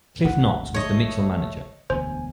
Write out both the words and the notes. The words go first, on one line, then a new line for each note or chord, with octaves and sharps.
Cliff Knox was the Mitchell manager.
G#1 D2 D3 F#5
A3 C#5 D#5
E1 D2 B3 C5 G#5